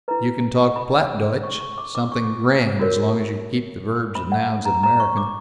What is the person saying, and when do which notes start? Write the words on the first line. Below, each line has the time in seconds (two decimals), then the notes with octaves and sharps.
You can talk Plattdeutsch something grand, as long as you keep the verbs and nouns in American.
0.08 E4 B4 A#5
0.76 B5
1.43 C#6
1.60 C#6
1.78 D6
1.95 D6
2.12 C#6
2.79 F#4 A#4 C#5
4.15 B5
4.32 F#5
4.65 A#5
4.83 A#5
5.00 C#6
5.17 D6